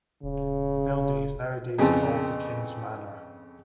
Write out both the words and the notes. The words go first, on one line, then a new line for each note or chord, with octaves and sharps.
The building is nowadays called the King's Manor.
D#1 C#3
F2 C#3 B3 C4 A5